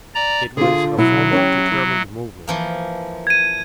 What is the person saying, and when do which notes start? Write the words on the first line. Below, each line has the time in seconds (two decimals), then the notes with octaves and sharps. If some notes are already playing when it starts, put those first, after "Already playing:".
It was a formal, determinate movement.
0.15 D5 A#5
0.57 D3 F4 G#4
0.98 B2 F#3 E4
1.32 C#4 E4 G4
1.72 E4
2.47 E3 F3 A#3
3.27 G#6 D#7